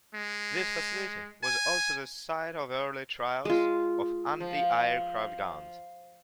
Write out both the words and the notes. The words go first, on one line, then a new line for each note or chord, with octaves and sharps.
This facility was also the site of early trials of anti-aircraft guns.
G#3
G#5
G#3 F4
F3